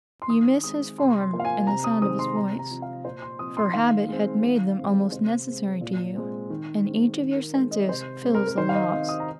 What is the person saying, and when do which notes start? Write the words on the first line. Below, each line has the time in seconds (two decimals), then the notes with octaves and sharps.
You miss his form, and the sound of his voice, for habit had made them almost necessary to you, and each of your senses feels the loss.
0.22 C6
0.29 D#3 D#6
0.63 G#3 C4 D#6
0.98 C3 C6
1.21 C6
1.33 F3 A#3
1.40 F5
1.45 G#5
1.67 C3 A#5
1.84 D#6
2.01 D#3 G#3 C4 D#6
2.19 C6
2.36 C3 A#5
2.59 A#5
2.71 F3 C4
2.82 F5
3.05 A#2 C5
3.22 C6
3.39 F3 C4 D#6
3.57 C6
3.74 D#3 F5
4.08 G#3 C4
4.43 D#3
4.78 G#3 C4
5.12 C3 C5
5.47 G#3 C4
5.81 A#2
6.15 G#3 C4
6.50 D#3
6.85 G#3 C4
7.19 D#3
7.36 A#4
7.54 G#3 C4 C5
7.71 D#5
7.88 C3 C5
8.23 G#3 C4
8.35 A#4
8.47 A#4
8.58 D#3 C5
8.69 F5
8.75 D#5
8.92 C4 F5
9.09 D#6
9.20 A#5